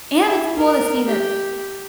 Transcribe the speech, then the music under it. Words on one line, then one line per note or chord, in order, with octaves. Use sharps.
And it's cool to see that
E4
A#4
G4